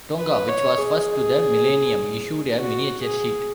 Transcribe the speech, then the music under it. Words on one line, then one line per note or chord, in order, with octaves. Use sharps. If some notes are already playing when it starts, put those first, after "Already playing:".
Tonga - which was 'first to the millennium', issued a miniature sheet.
B4
C#5
G#4
F#4
G#4